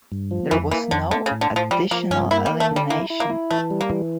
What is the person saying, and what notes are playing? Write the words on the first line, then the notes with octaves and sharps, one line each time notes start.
There was no additional elimination.
G2
F3
F2 E3
E3 A#3
F2 D3
D3 A3
C#3
A2
D3
A2
F3
F3 G3
F3 A#3
G2 C#4
A#3 E4
G3
A#3
A3
D3
G3
A#3 E4
E4
A#3
E4
E3 A3
G3
A#3
E3